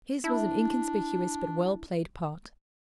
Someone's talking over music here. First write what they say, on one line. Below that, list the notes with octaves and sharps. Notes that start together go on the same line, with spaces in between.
His was an inconspicuous but well played part.
D4 E4